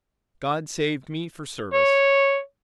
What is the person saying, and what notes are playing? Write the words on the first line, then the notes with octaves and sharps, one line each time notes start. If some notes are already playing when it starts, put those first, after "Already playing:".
God saved me for service.
C#5